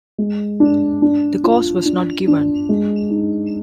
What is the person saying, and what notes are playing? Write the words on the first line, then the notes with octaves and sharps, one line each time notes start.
The cause was not given.
G#3
D4
D4
F4
D4
D4
G#3
D#4